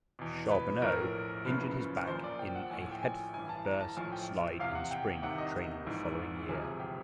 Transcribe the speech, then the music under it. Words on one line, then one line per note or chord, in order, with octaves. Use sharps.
Charboneau injured his back in a headfirst slide in spring training the following year.
E2 B2
B4
A#1 A2 F3 A#4
F#1 F#2 C#3 F3 B4
A#1 A#2 F3 C5
D5
G5
F#5
A#1 A2 F3 G#5
G#5
G5
G#5
A1 G2 E3 G#5
A5
A#5
A5
A#1 A2 F3 G#5
G5
E2 C3 E3 F5
F#5
G5
C2 C3 D#3 F#5
D#5
A#1 G#2 E3
E1 D2 C3 F3 G#4
G4